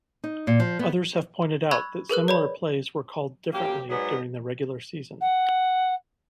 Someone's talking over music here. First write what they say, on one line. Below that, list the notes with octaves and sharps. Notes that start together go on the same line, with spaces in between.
Others have pointed out that similar plays were called differently during the regular season.
D#4
A#2
F3
B3
B5 C#6 E6 F#6 G#6
G#4 A#4 B4 F#6
C#5 D5 B5
F#2 A#3 G4
G#2 F#3 B3 G#4 D5
F#5